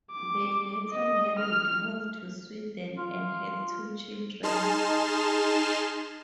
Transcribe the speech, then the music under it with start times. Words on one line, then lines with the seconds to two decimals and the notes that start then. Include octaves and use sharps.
They later married, moved to Sweden, and had two children.
0.12 D6
0.91 D#5
1.40 F6
2.97 F4
4.43 D#4 G#4 A5 C6 F6 E7